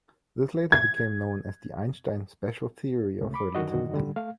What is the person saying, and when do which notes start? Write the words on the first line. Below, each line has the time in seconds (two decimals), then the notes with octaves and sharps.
This later became known as Einstein's special theory of relativity.
0.72 G#6
3.21 C#2 C3 A3
3.34 B5 D6
3.55 F#2 D3 D#3 D4 F#4 D#5
3.93 D3 G3
4.16 A3 F5